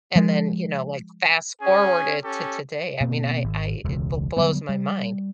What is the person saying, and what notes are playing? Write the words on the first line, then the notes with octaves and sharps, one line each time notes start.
and then, you know, like, fast-forward it to today, I mean, I I it b blows my mind.
F3 G#3
C#4 G#4 G#5
C#4 G4 A4
B2 A#3 C4
G#1
E1 C#2
D3 F#3 G3 B3
G3